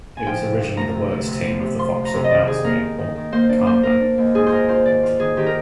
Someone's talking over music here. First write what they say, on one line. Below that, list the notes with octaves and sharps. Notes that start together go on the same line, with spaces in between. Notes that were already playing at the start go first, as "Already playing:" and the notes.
It was originally the works team of the Vauxhall Ellesmere Port Car Plant.
G#5
F3 G5
C3
F3
D2 A#5
C3
D2
C3
D2
C3
F3 C6
F3
A#5
C3
D#5
D#3 D5
D#3 G#4
A#3 A#4
D#3
D#3
D#3
A#3 C5
D4 D5
A#3 C5
A#3 A#4
D4
D#2
G#2 G#4
C5
F4 A#4
F4 C5
D#3 D5
F4
D#3 G#4
D#3 G4
A#4